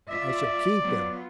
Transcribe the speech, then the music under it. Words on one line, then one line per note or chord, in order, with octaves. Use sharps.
I shall keep them.
F4 D5 E5
F#3 B3 F4